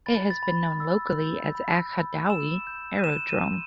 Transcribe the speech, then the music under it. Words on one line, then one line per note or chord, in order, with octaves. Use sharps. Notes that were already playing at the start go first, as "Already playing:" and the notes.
It has been known locally as Aghadowey Aerodrome.
B5 A6
A6
B5
E6
G6
B5
B5
E6 E7
G6
D#7
F#6 E7
D#7
C6